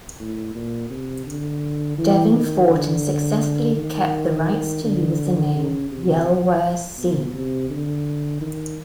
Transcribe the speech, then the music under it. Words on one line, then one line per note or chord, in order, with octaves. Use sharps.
Devin fought and successfully kept the rights to use the name "yelworC".
A2
A#2
C3
D3
E3
D#3
D3
D#3
D3
C#3
C3
B2
C3
D3
D#3